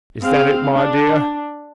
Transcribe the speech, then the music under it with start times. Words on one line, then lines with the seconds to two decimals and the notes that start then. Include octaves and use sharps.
Is that it, my dear?'
0.20 C4 G#4 F5
0.73 D4